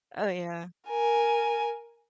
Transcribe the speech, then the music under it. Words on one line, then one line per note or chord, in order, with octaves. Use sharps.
Oh, yeah.
A#4 G#5